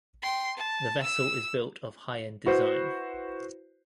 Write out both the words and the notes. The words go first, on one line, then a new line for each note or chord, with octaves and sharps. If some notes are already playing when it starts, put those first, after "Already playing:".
The vessel is built of high-end design.
G5 C6
A5
E6
E4 F#4 B4 C5